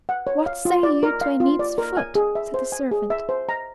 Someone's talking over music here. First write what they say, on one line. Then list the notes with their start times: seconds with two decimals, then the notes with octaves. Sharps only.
"What say you to a neat's foot?" said the servant.
0.09 F#5
0.27 C#5
0.46 F5
0.65 F4
0.83 D5
1.03 A#4
1.21 F5
1.40 F4
1.59 D5
1.78 A#4
1.97 G#5
2.15 G#4
2.35 E5
2.54 C5
2.72 G#5
2.91 G#4
3.10 E5
3.29 C5
3.49 A#5